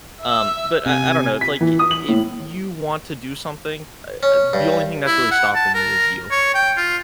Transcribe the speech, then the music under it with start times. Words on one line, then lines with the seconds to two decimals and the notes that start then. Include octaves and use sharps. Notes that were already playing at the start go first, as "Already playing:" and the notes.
Um, but I I don't know, it's, like, i i if you want to do something, uh uh, the only thing that's really stopping you is you.
0.21 E5 E6
0.86 C3 G#5
1.41 B6
1.61 E3
1.79 D#6
1.91 F#7
2.08 A2
4.23 C#4
4.53 G2
5.06 E4
5.31 F#5
5.55 A5
5.74 A#4
6.31 C#5
6.54 G5
6.77 F4